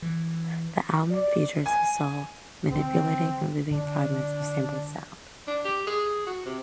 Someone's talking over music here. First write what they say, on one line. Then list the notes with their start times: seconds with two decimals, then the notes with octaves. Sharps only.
The album features Hassell manipulating and looping fragments of sampled sound.
0.02 E3
1.11 D5
1.66 G#5
2.71 D3 D#3 F#3 C4
3.71 D3 D4
5.47 D4
5.65 G4
5.87 G#4
6.26 F#4
6.46 C3